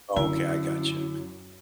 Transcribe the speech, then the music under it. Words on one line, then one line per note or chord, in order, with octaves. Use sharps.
Okay, I gotcha,
F#2 D3 E4